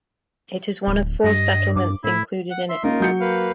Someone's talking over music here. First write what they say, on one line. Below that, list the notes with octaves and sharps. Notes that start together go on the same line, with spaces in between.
It is one of four settlements included in it.
D1
G2 D#5
G2 D6
A2 E4
F#5
E5 C6
A#3 C#4 D#4 F4 A#4
F#3 G6 C#7
A#3 B4 F5